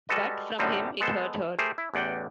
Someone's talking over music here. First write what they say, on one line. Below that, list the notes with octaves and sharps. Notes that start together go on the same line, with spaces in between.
But from him it hurt her.
G3 G#3 F#4 A4 B4 D#5
F#2 A2 D3 G3 C4 D#4
G#3 B3 A4 C5
A3 G4 G#4 A#4 C5
E4
A1 E2 D5 F#5 G5